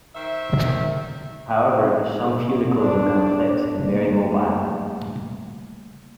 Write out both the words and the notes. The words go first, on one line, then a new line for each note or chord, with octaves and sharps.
However, some funicles are complex and very mobile.
D#3 C5 E5
D4
C#3 G3 A3 A#3